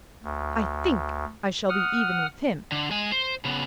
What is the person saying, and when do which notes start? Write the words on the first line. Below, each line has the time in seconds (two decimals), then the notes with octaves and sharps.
I think I shall be even with him.'
0.23 D2
1.69 F#5 D#6 F6
2.72 D3
2.91 G#3 G#5
3.12 C5
3.45 C#3 B3